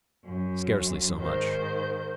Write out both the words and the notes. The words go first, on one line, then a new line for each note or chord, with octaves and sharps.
"Scarcely so much."
F#2
G#2 D#3 C5 G6